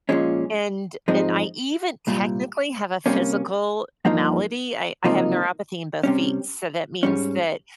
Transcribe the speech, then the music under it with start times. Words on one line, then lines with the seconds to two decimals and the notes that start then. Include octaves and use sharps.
and and I even technically have a physical eh malady. I I have neuropathy in both feet, so that means that,
0.09 A#2 F3 G#3 C#4
1.08 G#2 F3 G#3 C4 D#4
2.07 C2 A#2 G3
3.06 C3 G3 A#3 C#4
4.05 G2 F3 A#3 D#4
5.05 C#2 C3 F3 A#3 D#4
6.03 C3 G3 C#4
7.03 G#2 G3 C#4